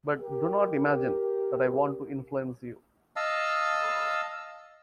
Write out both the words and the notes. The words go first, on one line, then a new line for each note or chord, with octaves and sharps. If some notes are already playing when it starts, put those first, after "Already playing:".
But do not imagine that I want to influence you.
G4 A#4
D#5 F5 A5 E6